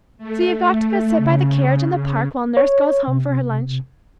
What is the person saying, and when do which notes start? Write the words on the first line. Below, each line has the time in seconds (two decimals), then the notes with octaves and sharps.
So you've got to go sit by the carriage in the park while nurse goes home for her lunch.
0.18 A3
0.63 A3
1.17 C#3
1.88 C#3
2.57 C#5
3.08 C3